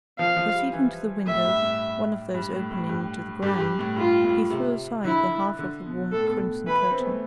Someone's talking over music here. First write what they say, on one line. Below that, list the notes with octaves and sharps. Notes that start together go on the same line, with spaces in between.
Proceeding to the window, one of those opening to the ground, he threw aside the half of the warm crimson curtain.
F3 F5
F3
G3
E3
A2 E5
G2
A2
G2
A2
A2
G2
G2 G4
G2
A2
G2 F4
A2
C3
D3 E4
D3
B2
A2 A4
B2
E3 B4
C4
B3
A3